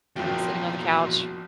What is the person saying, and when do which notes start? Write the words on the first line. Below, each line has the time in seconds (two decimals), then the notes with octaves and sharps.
sitting on the couch,
0.16 F#1 E2 A#2 F3 F#4 G5